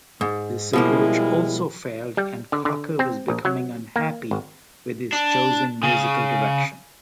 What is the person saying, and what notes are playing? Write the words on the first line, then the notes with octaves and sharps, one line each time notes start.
This approach also failed and Cocker was becoming unhappy with his chosen musical direction.
G#2
B2 F3 G3 G#3 A#3 E4
G3
D3
D3
C4
A#1
F#3
A#3
G#1
D4
C#3